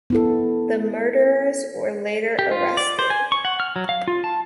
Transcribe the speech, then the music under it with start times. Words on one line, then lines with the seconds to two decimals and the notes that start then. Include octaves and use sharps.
The murderers were later arrested.
0.10 B3 E4 A4
2.39 G4
2.51 F4
2.77 D5
2.99 C5
3.10 G#5
3.32 C#6
3.45 F#5
3.60 F6
3.76 F#3
3.89 F5
4.08 F4
4.24 A5